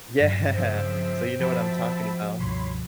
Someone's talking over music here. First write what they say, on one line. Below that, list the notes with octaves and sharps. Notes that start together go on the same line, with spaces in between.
Yeah, so you know what I'm talking about.
G2 F#3
C#3 F3 C4 E5
F3 F#4 E5 A5 B5
C#2 G2 B2 C#5 B5 C6